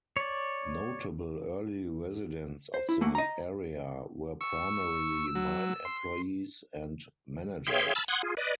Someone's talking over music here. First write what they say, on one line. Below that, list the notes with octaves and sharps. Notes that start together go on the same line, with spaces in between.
Notable early residents of the area were primarily mine employees and managers.
C#5 D5
C5
E4
A3 A#3 F#4
D#5 A#5
C#6 E6
F#3
C6
G#4 C#5 E5 F5 G5 C6
A5 B5 E6 F6 A6
F#5 C6 D#6 F#6 G#6
F4 G#4
B4 D5 D#5